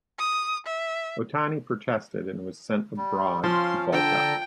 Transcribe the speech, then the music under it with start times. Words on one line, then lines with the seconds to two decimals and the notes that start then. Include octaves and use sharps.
Otani protested and was sent abroad to bulk up.
0.19 D#6
0.66 E5
2.97 G3
3.44 F3 C#4 F5 C6
3.93 D3 G5 A5 A#5 E6